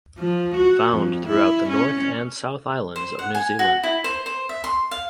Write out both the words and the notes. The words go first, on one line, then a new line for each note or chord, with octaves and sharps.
Found throughout the North and South Islands of New Zealand.
F3
F#4
F2
E4
C#4
C5
F#5
G#5
F#4
E4
C5
C5
E5
C6
F5